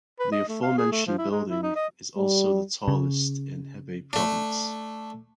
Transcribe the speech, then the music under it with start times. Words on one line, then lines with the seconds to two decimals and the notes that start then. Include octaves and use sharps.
The aforementioned building is also the tallest in Hebei province.
0.20 B4
0.32 D#5
0.49 A3
0.62 F5
0.78 G#4
0.92 A3
1.07 F3
1.18 E4
1.31 G#3
1.49 E4
1.63 D#4
1.76 D#5
2.16 G3
2.88 C#3
4.13 A3 D4